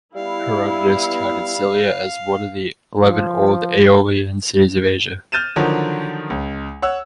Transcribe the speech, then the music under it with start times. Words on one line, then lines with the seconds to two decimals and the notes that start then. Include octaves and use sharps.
Herodotus counted Cilia as one of the eleven old Aeolian cities of Asia.
0.15 G3 B3 E4 F5
3.04 F3
5.32 F6 G6 A6 D#7 E7
5.56 D3 D#3 F3 F#3
6.30 C#2
6.82 C#5 F#5 E6